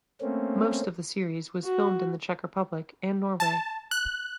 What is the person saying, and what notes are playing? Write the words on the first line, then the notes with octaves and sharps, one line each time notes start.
Most of the series was filmed in the Czech Republic and Norway.
A3 A#3 C4 C#4
F#4
A5
F#6